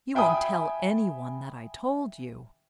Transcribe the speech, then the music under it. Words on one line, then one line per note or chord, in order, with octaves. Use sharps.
"You won't tell any one that I told you?"
E5 G5 G#5 B5 D#6